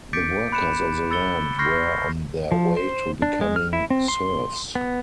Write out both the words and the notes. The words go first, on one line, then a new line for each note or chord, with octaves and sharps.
The workers of the land were on their way to becoming serfs.
D6 G6 A6 B6 C#7 D7
B5 F#6 C#7 E7
B5 E6 A6 C#7 G7
C6 C#6 F6 G6 A#6 C7
F3
C5
D4
G#3
F6
E4
C4
C6
B3